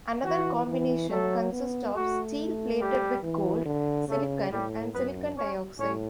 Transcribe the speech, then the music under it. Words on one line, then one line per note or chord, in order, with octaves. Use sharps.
Another combination consists of steel plated with gold, silicon, and silicon dioxide.
E3 F#4
E3
F#3 A3 A4
B3
A3 F#4
G3 G4
E3
D3
C#3 A3 A4
A2 G3 G4
F#2 B3 B4
C#4 C#5
A2 C#4 C#5